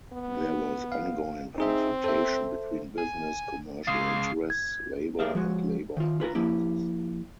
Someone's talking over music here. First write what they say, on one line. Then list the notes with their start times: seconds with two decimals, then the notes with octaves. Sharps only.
There was ongoing confrontation between business, commercial interests, labor, and labor organizers.
0.13 B3
0.92 F5
1.58 C4 D#4 G#4 E5
2.04 A4 C5 E5
2.98 G#5
3.88 C#3 G#3 F5
4.50 G#6
5.19 G4 G#4 A#4 E5 F5
5.35 F3 G#3 F#4
5.97 D#3 F4
6.20 F4 B4 G#5 A#5
6.35 F3 A#3 E4 G4